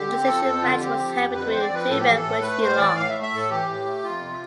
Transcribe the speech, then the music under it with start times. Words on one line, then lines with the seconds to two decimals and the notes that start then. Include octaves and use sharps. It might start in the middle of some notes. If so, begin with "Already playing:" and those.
A decision match was held between the two men which he lost.
Already playing: D3 G4
0.09 C4
0.25 F3 A4
0.44 F2 A4
0.62 D3 F4
0.80 C4 G4
0.97 F3
1.16 F2
1.33 D3 B4
1.47 C5
1.52 C4
1.61 D5
1.70 F3 B4
1.88 A2 A4
2.00 G4
2.06 E3
2.13 A4
2.23 A2
2.41 A3 B4
2.60 A2 C5
2.77 E3 D5
2.95 A2 F5
3.09 E5
3.14 A3
3.22 E5
3.32 A2 A4
3.50 E3 G4
3.68 A2
3.85 A3
4.03 F2 F4
4.21 C3